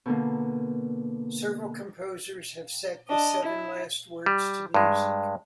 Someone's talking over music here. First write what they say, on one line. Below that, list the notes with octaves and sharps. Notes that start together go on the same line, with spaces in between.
Several composers have set the Seven Last Words to music.
B2 D3 A#3
D4 D#5
E4
G3
G2 G#3